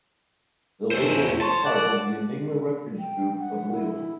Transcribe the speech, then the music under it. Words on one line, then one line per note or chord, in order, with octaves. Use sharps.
The label was part of the Enigma Records group of labels.
E2 C#4 A4 C5
C5 C#5 A5
D5 F#5
G5
F#5
E4